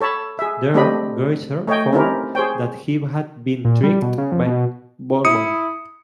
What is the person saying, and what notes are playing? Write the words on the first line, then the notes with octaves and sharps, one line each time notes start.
There Greiser found that he had been tricked by Bormann.
A4 C#5 A5 B5
G#4 E5
A3 C4 D4 G4 D#5 B5
A3 C#5 D#5 G5
C4 C#4 D#4 E4 G4 A#4
G#4 C5 C#5 G5
A#2
G3
B2
C#3
F2
B2
E4 D#6 C#7